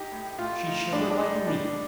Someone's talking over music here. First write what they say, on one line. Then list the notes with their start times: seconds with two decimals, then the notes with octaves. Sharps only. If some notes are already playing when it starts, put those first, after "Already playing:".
She shivered like a leaf.
Already playing: D#4 G4
0.12 A2
0.38 A3 F4
0.66 D#4
0.92 A2 D4
1.11 D4
1.20 D#4
1.47 G3 D4